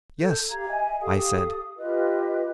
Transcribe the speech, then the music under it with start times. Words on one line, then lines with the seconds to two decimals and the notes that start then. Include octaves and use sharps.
"Yes!" I said.
0.20 A4 G6
0.50 G4 F5 A#5 G#6
0.68 D#5 E5 G#5
1.01 G4 A4 F5 D#6
1.77 F4 G4 B4 D#5